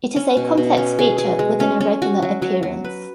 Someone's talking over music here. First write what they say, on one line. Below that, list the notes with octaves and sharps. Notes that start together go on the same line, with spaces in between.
It is a complex feature with an irregular appearance.
C#4
B2
B2
C#4
G#4
G#4
G#3
C#4
C#4
F#4
F#3
F#3
F#3
B4